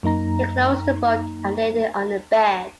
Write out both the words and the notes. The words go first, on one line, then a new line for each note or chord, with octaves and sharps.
He closed the book, and laid it on the bed.
F#2 A#3 D#4 A#5